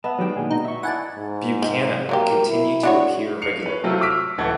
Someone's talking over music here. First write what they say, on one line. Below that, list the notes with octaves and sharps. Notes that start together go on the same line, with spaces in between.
Buchana continue to appear regularly.
B3 D#5 E5 A5
D#3 F#3 G#3 B3 D4 G4 G5
A#2 D3 D#3 G#4
B2 D#4 F#4
D#5 E5 C#6
E4 D5 F#5 G#5 A5
G#2
D#3
F#3 A#3 G4 A#4
E4
D4 F#4 C#5
C7 C#7 F7
B4 C#5
C3 F#3 A3 C4 E4 F4
C#6 D6 E6 F6 B6 D7
D1 C#2 E3 A4 F#5 G#6